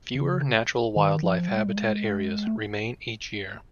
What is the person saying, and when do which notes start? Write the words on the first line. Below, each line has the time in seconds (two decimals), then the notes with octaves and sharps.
Fewer natural wildlife habitat areas remain each year.
0.15 C#3
0.96 D#3
1.23 F3
1.48 G3
1.58 G#3
1.66 G3
1.76 G#3
2.47 A3